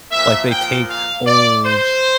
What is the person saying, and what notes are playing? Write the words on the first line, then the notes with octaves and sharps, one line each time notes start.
like they take old
A#2 F3 A#3 E5
G5
F5
D5
C5